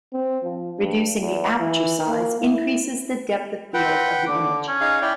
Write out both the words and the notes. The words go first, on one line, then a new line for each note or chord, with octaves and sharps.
Reducing the aperture size increases the depth of field of the image.
C4
F3
G2
E2
E3
A#3
E4
C4 B4 F#5 G5
D3 D6
C#4
D#4 G#4 F5
E4 D5 G5